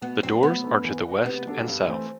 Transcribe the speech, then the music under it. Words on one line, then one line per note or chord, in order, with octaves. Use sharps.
The doors are to the west and south.
B2 B3
F#3 B3 C4 D4
F#3 B3
A3 D4
E3
B3 F#4
C3 B3
G3 D4 F#4 A4
G2
E3 A3 C4